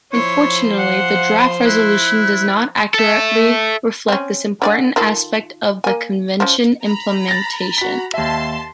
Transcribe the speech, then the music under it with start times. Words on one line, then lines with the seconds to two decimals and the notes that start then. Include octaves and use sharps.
Unfortunately, the draft resolution does not accurately reflect this important aspect of the Convention implementation.
0.13 F3 E4 C5 C#5
0.78 F5 F#5
1.64 E4 F#6
2.94 A4 E5
4.08 C4 C#4
4.62 D3 D5 G#5
4.96 D#3 F4 A4
5.84 A#3 G#5
6.40 F3 C#4
6.82 A#5 B5
7.28 A6 A#6
7.78 F#4 B6
8.14 D#2 E5 A5 C6